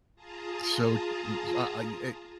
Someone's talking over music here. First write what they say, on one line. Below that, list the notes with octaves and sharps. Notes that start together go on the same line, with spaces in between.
So n I e eh
F4 G#4 A5 A#5 D#6